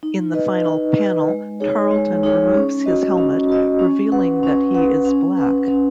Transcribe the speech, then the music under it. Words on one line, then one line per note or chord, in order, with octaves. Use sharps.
In the final panel Tarlton removes his helmet, revealing that he is black.
D#4
B4 D#5
D#4
B4 D#5
G#3
D#4 G#4 C#5
G#3
D#4 G#4 C#5
C#4
F#4 D#5
C#4
F#4 D#5
C#4
B4 F#5
C#4
B4 F#5
C#4
B4 F#5
C#4